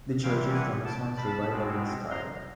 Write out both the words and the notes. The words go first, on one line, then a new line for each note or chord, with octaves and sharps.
The church is Renaissance Revival in style.
C3 E3 G3 F5 G5
F#5 G#5
G5 A5
A5 B5
B2 G#3 C4
A#5 C6